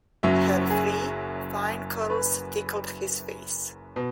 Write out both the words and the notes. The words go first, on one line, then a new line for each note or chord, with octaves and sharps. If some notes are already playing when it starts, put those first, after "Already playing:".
Her free, fine curls tickled his face.
F#1 F#2 F#3 C#4 E5
G#4
B4
B2